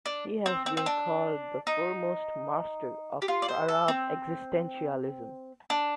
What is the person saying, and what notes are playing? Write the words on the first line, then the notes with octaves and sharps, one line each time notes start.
He has been called the foremost master of Arab existentialism.
D4
C4
C4
C4
D4
D#4
G4
F4
D5
C5
A4
C4
D4